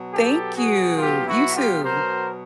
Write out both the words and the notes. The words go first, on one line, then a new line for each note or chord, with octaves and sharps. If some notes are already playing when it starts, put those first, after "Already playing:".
Thank you! You too.
Already playing: B2 F#3 B3
G4 A4
F#4 G#4
F4 G4
E4 F#4
F4 G4
A#4 C5